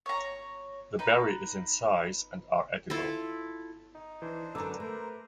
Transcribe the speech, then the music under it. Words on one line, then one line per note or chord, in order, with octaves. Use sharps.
The berry is in size and are edible.
C#5 A#5
D#4 B4
E4 F4 A4
D#4
E3 D4 C5
F#2 D3 B4 A#5 D6 E6
A3 A#4 C5